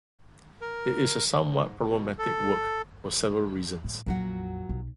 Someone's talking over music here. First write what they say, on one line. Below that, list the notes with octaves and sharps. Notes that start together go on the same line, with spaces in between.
It is a somewhat problematic work for several reasons.
A#4
G#2
B2
A4
A2
A#1 F2 A#2 F#3 F#4
B1